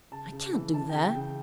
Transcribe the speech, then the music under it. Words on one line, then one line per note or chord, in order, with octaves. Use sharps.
"I can't do that."
C#3 A5
C#3
E3
E3 A5
G5
C#3
G5
C#3
G5